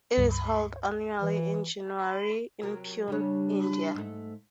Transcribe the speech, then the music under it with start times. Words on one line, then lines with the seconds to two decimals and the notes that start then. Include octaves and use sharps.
It is held annually in January in Pune, India.
0.18 C#2 G2
1.22 E3
2.63 C3 F#3 A#4
3.08 C#3 G3 D4 C#5
3.95 G#2 A3